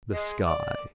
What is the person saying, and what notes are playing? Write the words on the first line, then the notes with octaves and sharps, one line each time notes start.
The sky.
G#3
D5